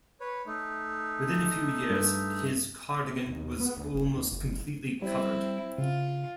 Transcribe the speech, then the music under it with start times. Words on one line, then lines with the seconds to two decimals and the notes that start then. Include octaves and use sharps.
Within a few years, his cardigan was almost completely covered.
0.21 B4 C#5
0.46 A3 D#4
1.89 G2
3.05 C3
3.28 D#2
3.60 B3
3.77 D2
3.94 F#1
4.16 D#2
4.31 F#1
5.02 G3 C4 E4
5.78 C#3 F4